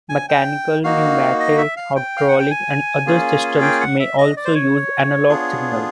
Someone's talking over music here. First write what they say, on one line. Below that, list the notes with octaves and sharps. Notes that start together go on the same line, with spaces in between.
Mechanical, pneumatic, hydraulic, and other systems may also use analogue signals.
G#5
G5
A#3 D#4 F#4 F5
D#5
E5
F5
G5
F5
F#5
G5
G#5
A#3 C#4 F4 G#4
G5
F#5
E5
D#5
D5
C5
C#5
B3 D4 F4 G#4